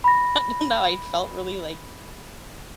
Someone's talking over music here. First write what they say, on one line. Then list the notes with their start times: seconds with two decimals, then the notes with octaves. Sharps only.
I don't know, I felt really, like
0.04 B5 A#6